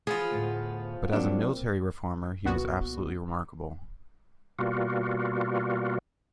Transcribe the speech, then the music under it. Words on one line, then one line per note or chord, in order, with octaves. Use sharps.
But as a military reformer, he was absolutely remarkable.
E3 F3 B3 F4 G#4
D2 A2
F#3 A#3 C4 D4
C2 A#2 B3 F#4
B2 G3 A#3 F4 F#4